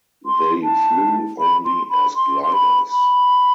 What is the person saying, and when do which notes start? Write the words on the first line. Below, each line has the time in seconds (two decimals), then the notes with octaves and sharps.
They flew only as gliders.
0.26 C6
0.64 A5
1.39 B5
1.65 C6
1.90 B5
2.15 C6
2.43 C6
2.53 B5
2.91 B5